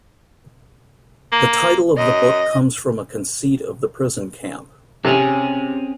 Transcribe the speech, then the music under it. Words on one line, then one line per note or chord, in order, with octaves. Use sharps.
The title of the book comes from a conceit of the prison camp.
A#3
F#2 D#5
C3 C4 C#4 G#4